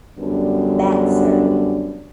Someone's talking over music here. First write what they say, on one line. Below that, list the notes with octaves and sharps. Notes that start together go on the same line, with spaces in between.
Bad, sir.
F#2 D3 G3 B3 D4